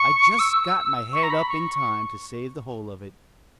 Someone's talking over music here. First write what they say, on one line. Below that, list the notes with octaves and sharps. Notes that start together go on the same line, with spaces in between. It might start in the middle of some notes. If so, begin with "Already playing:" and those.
I just got my head up in time to save the whole of it.
Already playing: C#6
E6
C#6
A#5
B5
C#6
C#6